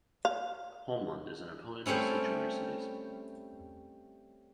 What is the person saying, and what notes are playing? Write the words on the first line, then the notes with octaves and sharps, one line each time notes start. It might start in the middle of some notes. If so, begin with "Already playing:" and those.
Holmlund is an opponent of Sanctuary cities.
F5
G3 A3 C4 C#4 E4